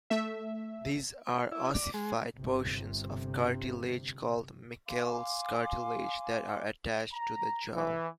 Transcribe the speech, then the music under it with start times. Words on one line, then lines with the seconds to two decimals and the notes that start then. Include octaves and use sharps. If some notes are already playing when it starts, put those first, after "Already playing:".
These are ossified portions of cartilage-called Meckel's cartilage-that are attached to the jaw.
0.10 A3 E5
1.52 E4
1.74 D5
1.94 G#3
2.34 G1 C3
4.87 F5 G#5 C6 D6
7.13 A#5
7.75 E3